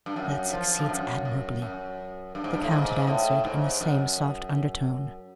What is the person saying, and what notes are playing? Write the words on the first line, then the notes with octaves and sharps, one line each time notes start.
'That succeeds admirably,' the Count had answered, in the same soft undertone.
G2
F#2
F3
G2
F#2
F#2
F#2
G2
G#2
G2
A2
G#2
A2
G#2
F#2